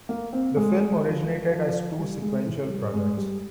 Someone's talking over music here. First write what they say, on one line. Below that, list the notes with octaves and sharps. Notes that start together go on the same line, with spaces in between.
The film originated as two sequential projects.
A#3
C4
G#3
G#3
F3
F3
G3
G#3
E3
G3
G#3
G3